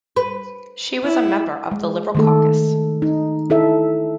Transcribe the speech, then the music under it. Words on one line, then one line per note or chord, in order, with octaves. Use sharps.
She was a member of the Liberal caucus.
B4
E4
G#3
D#3 A3 A4
D#4
E4 A4 E5